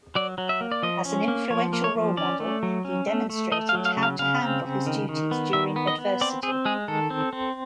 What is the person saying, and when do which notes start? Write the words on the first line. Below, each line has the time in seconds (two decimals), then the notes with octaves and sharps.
As an influential role model, he demonstrated how to handle his duties during adversity.
0.15 F#3 D5
0.38 F#3
0.49 E5
0.61 A#3
0.72 D5
0.83 F3 D#5
1.05 C#4
1.28 A#3
1.50 F3 C#5
1.73 A#3
1.84 C#5
1.95 F3
2.17 C#4 D5
2.40 A3
2.63 F#3
2.85 C#4
3.07 A3
3.30 A3
3.52 A3 D#5
3.69 F5
3.74 F#3
3.85 F5
3.97 C#3
4.03 F5
4.19 C#3 F5
4.42 C4
4.64 C#3
4.87 D#3
5.09 D#3
5.31 B3
5.53 D#3 E5
5.76 B3
5.87 D#5
5.98 B3
6.21 C4 D5
6.43 C4 G#4
6.65 G#3 G#4
6.88 D#3 A4
7.10 C4
7.33 C4